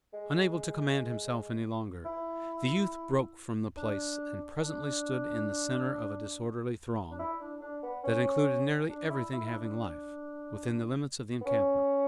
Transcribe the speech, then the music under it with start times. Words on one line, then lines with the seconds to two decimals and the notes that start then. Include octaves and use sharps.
Unable to command himself any longer, the youth broke from the place, and presently stood in the center of a disorderly throng, that included nearly everything having life, within the limits of the encampment.
0.13 G#3
2.05 E4
3.77 D4
4.62 D4
7.11 D4
7.19 E4
7.40 D4
7.61 D4
7.83 B3
8.04 C#4
8.89 D4
9.10 E4
9.33 E4
9.46 E4
9.53 D4
11.41 B3
11.46 C#4